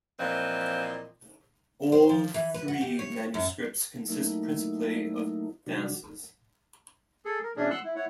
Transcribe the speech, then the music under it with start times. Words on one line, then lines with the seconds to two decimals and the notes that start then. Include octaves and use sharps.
All three manuscripts consist principally of dances.
0.20 A#2 E3 F3 C4 B4 D#5
1.92 C5
2.09 F3
2.34 E3
2.54 B4
2.68 F#4
2.81 G4
2.99 C#5
3.34 F#2
4.08 F#3 A3 A#3 D#4 E4
5.66 C3 D#3 F#3 D4 F#4
7.25 G#4 A4
7.43 A#4
7.56 B2 E3 C#4 D4 G#4
7.71 F#5 C6 E6 F#6
7.84 E4
7.96 E4 C#5 F#5